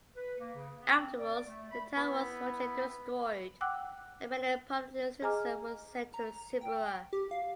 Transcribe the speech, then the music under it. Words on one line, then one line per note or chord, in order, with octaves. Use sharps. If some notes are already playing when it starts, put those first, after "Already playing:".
Afterwards the town was utterly destroyed and many prominent citizens were sent to Siberia.
B4
A#3
C#3
B3
C4
D5
A3
B5
B3 E4 B4
F#5 G5 D6 E6 F#6
G#4 D#5 G#5 A#5 D6 F6
A#5
G5
G4
F5